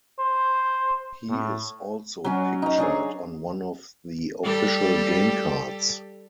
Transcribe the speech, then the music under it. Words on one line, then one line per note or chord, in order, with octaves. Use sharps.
He is also pictured on one of the official game cards.
C5
A2
F#3 C#4 F#4
D#4 A#5
D4 G#4 C#5
G3 G4 A4